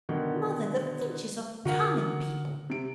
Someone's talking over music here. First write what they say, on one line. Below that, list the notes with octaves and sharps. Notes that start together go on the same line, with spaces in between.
"Mother!--the Finches are common people."
B2 D3 D#3
D3 F#4 A#4 F#5
C3 D7